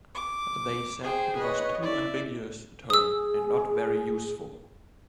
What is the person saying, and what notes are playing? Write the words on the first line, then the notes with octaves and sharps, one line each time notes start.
They said it was too ambiguous a term, and not very useful.
D6
G#4 C5 G5
B4 C#5 D#5
E4 D5 E5
G#4 D#6 E6